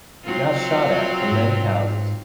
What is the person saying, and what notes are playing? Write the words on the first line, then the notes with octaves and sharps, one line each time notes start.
We get shot at from many houses.
F#3 C4 F4
G#2